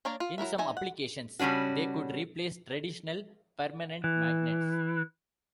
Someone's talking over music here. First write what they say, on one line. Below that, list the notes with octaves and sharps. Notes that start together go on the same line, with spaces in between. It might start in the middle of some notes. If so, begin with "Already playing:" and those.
In some applications they could replace traditional permanent magnets.
A#3 D4 A#4 C#5 D5
F4
F#3 E4 A#4 E5
D#4 E5 G#5
F#5
C#3 G3 C#4 D4 F#4
E3